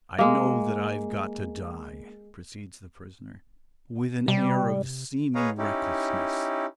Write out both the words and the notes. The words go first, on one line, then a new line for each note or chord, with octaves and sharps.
"I know that I've got to die," proceeds the prisoner, with an air of seeming recklessness.
G#3 A#3
C3 G3
G#4 B4 C#5 D#5 F5 A#5
C#4 D#4 E4 G4